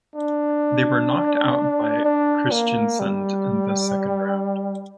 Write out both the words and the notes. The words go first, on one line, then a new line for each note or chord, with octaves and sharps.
They were knocked out by Kristiansund in the Second Round.
D4
D4
A#3
G3